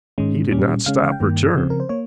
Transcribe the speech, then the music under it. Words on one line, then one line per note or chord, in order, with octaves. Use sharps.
He did not stop or turn.
G#2 D#3 G#3 C#4
A#2 G3 C#4
C#3 G#3 C#4 F5
F5
G5
G2 D#3 A#3
C#3 F3 C4
A#4
C5
A#3 C#5